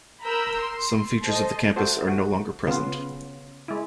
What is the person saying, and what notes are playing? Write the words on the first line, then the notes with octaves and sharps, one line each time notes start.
Some features of the campus are no longer present.
A#4 A#5 B5 E6 G6
C6
A4 C5 D#5
A3 F#4 A4 C5
F#4
C#3 B3 F4
G#3 E4